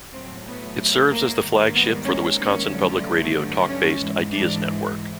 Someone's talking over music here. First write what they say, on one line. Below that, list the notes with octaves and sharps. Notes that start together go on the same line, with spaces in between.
It serves as the flagship for the Wisconsin Public Radio talk-based "Ideas Network".
A2 F#3 A3 C4
B3
A#3
G#2 D#3 G3 A#3
B3
C#4
C#4
G2 D3 F#3 A3
C#4
G#2 E3 G#3
D4